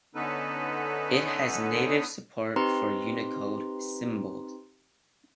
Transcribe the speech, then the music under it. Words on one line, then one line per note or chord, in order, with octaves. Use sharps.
It has native support for Unicode symbols.
D3 B3 C#4 D#4 A4 B4
C4 D#4 G4 B4 A#5 C6